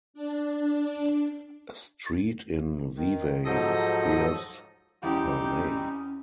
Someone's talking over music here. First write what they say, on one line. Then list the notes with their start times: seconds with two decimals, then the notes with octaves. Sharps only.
A street in Vevey bears her name.
0.14 D4
2.97 D#3
3.45 G#2 F3 F#3 A4 D#5 D#6
5.03 E2 G3 C4 C#4 D#4 G4